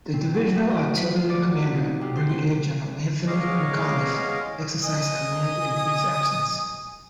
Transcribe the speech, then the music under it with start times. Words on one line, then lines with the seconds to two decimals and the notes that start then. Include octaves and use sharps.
The Divisional Artillery commander, Brigadier General Anthony McAuliffe, exercised command in his absence.
0.13 C4
0.35 F#3
0.55 A2
0.70 D#5
1.14 F4
1.30 D5
1.44 F#4
1.76 D#4
2.01 C3
2.17 C5
2.29 C6
3.27 E2 G#3 C#4 D#5 F5 D6
4.83 D#5 G#5 D#6